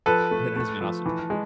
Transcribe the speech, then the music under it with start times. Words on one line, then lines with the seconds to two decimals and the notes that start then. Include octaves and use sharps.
It has been awesome.
0.06 F3 A4 B4
0.31 A3
0.56 A3
0.81 F3
1.06 E3
1.30 G#3